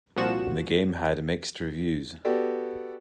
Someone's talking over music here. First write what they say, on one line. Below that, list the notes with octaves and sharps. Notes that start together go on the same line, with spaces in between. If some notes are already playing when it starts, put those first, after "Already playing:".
The game had mixed reviews.
C2 A#2 F3 F#4 E7
B3 F#4 G4 A4 D5